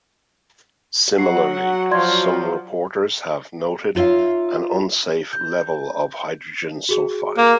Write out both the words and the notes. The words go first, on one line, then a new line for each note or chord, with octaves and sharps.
Similarly some reporters have noted an unsafe level of hydrogen sulfide.
F#3 F#4 F#5 C7
F3 D5 C6 G#6
D#4 F4 C#5 E5 F5
G6
F#4 G#4
A#3